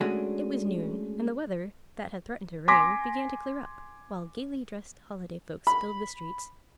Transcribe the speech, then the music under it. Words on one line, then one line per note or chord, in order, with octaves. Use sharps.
It was noon; and the weather, that had threatened rain, began to clear up, while gaily dressed holiday folks filled the streets.
G#3 A3 C#4 D4 F#4 G#4
G#5 C6 D6 A#6 B6
B5